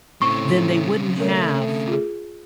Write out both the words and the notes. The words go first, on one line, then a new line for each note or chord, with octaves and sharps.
then they wouldn't have
A2 C#3 C4 C#6
A3 C#4 A#4 C#5
F4 G#4